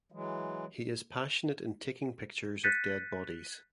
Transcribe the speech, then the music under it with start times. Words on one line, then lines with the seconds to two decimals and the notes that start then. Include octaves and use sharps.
He is passionate in taking pictures of dead bodies.
0.12 E3 F#3 G#3
2.63 F#6 G6 A6 B6 C#7 D#7